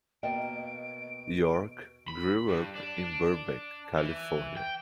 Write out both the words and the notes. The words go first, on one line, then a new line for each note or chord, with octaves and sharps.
York grew up in Burbank, California.
B2 A#3 D#5 G5 A5 D7
B5
G2
D4
E3
G5